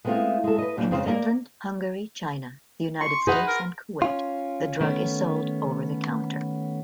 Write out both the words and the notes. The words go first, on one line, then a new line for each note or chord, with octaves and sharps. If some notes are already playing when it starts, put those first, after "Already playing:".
In Finland, Hungary, China, The United States and Kuwait the drug is sold over-the-counter.
G#3 A3 B3 C4 E4 F4
G#3 A4
B4 D#5
D#2 A#2 G3 D4
F2 C#3 G#3 C4 F4 C5
A#3 D#4 G#4 A#4 D5
C6 C#6
D#4 G#4 B4 F#5
A#4
C#4 F4
D#3 A3 B3 C#4